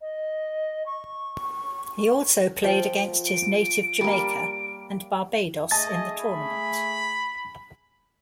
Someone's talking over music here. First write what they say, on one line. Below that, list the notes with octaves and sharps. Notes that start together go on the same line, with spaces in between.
He also played against his native Jamaica and Barbados in the tournament.
D#5
C#6
F3 G5
D7
G3 A#3
A3 G#4 D#5 G#5 A5 A6
B5